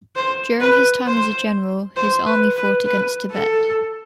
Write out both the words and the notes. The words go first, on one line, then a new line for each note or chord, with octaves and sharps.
During his time as a general, his army fought against Tibet.
C5
B4
C5
C5
B4
B4
B4
A4